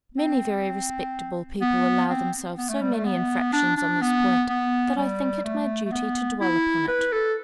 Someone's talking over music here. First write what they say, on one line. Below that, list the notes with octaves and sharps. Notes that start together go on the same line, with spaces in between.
Many very respectable people allow themselves so many infractions on this point, that I think it my duty to dwell upon it.
C4
B3
C4
B3
A3
G3
A3
B3
D4
D4
B3
B3
G3
A3
A3
B3
E4
B4
A4